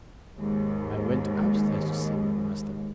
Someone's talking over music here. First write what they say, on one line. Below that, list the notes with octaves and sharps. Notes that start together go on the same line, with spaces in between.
I went upstairs to see my master.
D#2 G#2 G#3